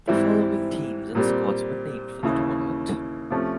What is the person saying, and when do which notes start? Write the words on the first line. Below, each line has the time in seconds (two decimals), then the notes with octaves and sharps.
The following teams and squads were named for the tournament.
0.07 G#2 E3 G3 C4 E4
1.15 A#2 G3 C4
2.23 D#2 C#3 E3
3.31 C3 F3 A3 C#4